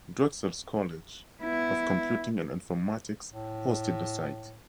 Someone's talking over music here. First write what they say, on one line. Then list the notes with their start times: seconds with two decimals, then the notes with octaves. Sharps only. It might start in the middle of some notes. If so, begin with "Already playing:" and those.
Drexel's College of Computing and Informatics hosted the site.
1.42 B3 E4
3.31 A2